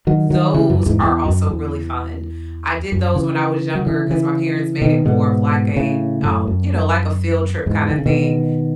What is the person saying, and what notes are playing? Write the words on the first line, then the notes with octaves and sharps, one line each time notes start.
Those are also really fun. I did those when I was younger, 'cause my parents made it more of like a, um, you know, like a field trip kinda thing,
D#3 F#3
D#3 F#3
C#3 E3
F#2
E2 G#2
E2
F#2
E2
F#2
C#3 E3
F#3
C#3 E3
C#3 E3
B2 D#3
G#2 B2
A2 C#3
F#2 A2
F#2
E2 G#2
D#3
C#3
B2 D#3